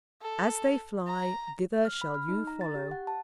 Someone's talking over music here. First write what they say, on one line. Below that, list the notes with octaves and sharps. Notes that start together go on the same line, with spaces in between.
"As they fly, thither shall you follow."
A4
A#5
F6
B5
F6
D#4
A#5
A6
G4
F#5
A5